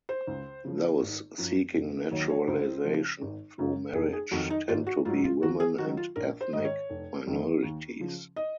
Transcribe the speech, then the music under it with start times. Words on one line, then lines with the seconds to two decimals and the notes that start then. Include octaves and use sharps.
Those seeking naturalization through marriage tend to be women and ethnic minorities.
0.09 C5
0.27 C#2
0.65 C#3 F3
1.01 G#1
1.38 F#2 F3
1.75 F1
2.11 D#2 D#3 F#3 C#5
2.30 C#5
2.48 C#2 C5
2.85 C#3 F3
3.22 G#1
3.58 F#2 C#3
3.95 F1 G#4
4.13 G#4
4.31 F2 D#3 F#3 F#4
4.50 D#4
4.68 G#1 F4
4.87 F#4
5.05 G#2 F4
5.08 F#3
5.24 F4
5.41 D#2 F#4
5.60 G#4
5.78 D#3 F#3 F#4
5.97 F4
6.16 A#1 A#4
6.41 C5
6.53 G#2 D#3 D#5
6.65 C#5
6.90 F1
7.26 F2 D#3 F#3
7.63 D#2
7.99 C#3 F3
8.36 D#5